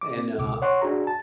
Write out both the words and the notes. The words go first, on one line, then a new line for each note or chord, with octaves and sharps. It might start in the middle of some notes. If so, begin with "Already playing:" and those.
and, uh,
D6
C4
C#2 B2 D6
C#5 F#5 C6 C#6
D4 F#4 G#4 A#5
A5